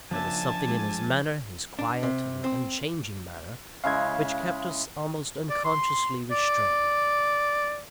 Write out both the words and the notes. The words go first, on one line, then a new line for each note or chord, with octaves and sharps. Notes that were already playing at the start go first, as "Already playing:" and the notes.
There was something in his manner, his quiet and unchanging manner, which kept us almost unconsciously restrained.
C#3 F3 A#3 D4 E5 G#5 A5
G#3
D4
C3
C4
C#3 G#3 E4 F5 G#6
D5
C6
D5